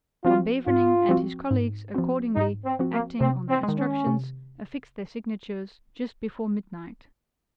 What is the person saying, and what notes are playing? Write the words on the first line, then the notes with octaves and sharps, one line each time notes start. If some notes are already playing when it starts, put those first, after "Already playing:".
Van Beverningh and his colleagues accordingly, acting on their instructions, affixed their signatures just before midnight.
F3 C4 F4 F#4
G#2 F4
F3 C4 F#4
G#2
F3 C4 F#4
G#2 D#4
C4
F3 C4 F#4
A#3
C3 C4
C4
G#3
D#3
C#4
C3